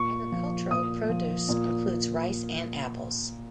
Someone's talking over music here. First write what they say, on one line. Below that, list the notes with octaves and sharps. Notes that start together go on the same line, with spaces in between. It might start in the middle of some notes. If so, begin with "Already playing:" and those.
Agricultural produce includes rice and apples.
Already playing: A#2 C#6
F3
A#2 D#6
F3
A#2